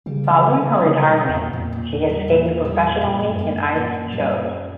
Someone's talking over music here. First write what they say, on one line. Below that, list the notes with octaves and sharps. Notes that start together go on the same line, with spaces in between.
Following her retirement, she has skated professionally in ice shows.
C#3 G3
B3
C#3
B3
C#3
A#2
D3
C#3 B3
G3
B2
B3
E2
A#2
E2 A#2
A#2
A#2
G3
A#2
A#2
G3
A#2
F#2 A#2
G3
G2
F#2 A#3
A#3
A#2
A#2
G3
A#2